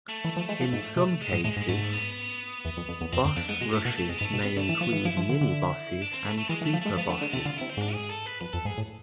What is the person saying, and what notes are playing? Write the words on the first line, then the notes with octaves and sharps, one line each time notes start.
In some cases, boss rushes may include minibosses and superbosses.
A3
E3
F3
G#3
F3
G#2
C3
G#3
G#2
A2 G#3
G#2
G#2 A3
B3
E2
F2
F2
E2
F2 C4
F2 C4
F2 D4
G#2 B3
B2 G#3
A2 A3
B2 A3
A3
F2 G#3
B3
G#2
A3
B2
C3 B3
D3 A3
E3
F3 B3
E3
F3 E4
F3
D3
D3
D4
C4
A3
A3
E3 G#3
E3
A3
F3
G#3 A3
F3 B3
D3 A3
D3 G#3
C3 A3
D3 F4
C3 E4
C4
G#2 D4
G#4
A4
B4
F2 B4
F2 A4
G#2 G#4
A2